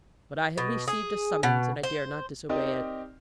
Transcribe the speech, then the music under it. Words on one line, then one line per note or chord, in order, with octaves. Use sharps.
But I have received a summons, and I dare not disobey it.'
B2
G#4
B2
C5
C4 D#4 G4 A#4 D5 D#5